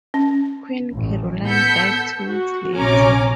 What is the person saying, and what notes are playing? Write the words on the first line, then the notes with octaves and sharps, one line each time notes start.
Queen Caroline died two weeks later.
C#4
A1
B3 A4 E6 G6 B6 C#7
F#4
A#1 C3 C#4 G#5 A#5 D6